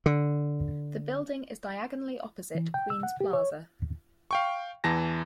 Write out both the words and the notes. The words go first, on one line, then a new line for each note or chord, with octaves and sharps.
The building is diagonally opposite QueensPlaza.
D3
E3
G5
E6
F#5
G4
C#5
F5 G5 C#6
E2 E3 A5 A#6